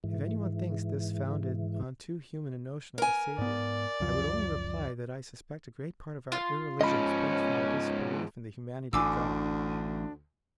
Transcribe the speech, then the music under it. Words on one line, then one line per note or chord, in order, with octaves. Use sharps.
If any one thinks this founded on too human a notion of the Saviour, I would only reply that I suspect a great part of our irreligion springs from our disbelief in the humanity of God.
G#2 E3
A#4 G#5
G#2 B3 D5
C#2 F#2 F3
F4
G#2 F3 C#4 D#5 B5
A1 D2 D4 G#5 D6 E6